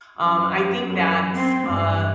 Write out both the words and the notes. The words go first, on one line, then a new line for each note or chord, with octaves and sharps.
Um, I think that's uh,
F#2
F#2
C4
G2